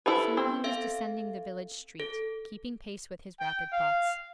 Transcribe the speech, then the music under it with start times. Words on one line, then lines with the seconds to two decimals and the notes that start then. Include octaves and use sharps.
Soon he was descending the village street, keeping pace with his rapid thoughts.
0.06 E4 G4 A4 B4 C5
0.37 B3 C4
0.64 A4 E5 F5
2.00 A4
3.40 G5
3.73 F5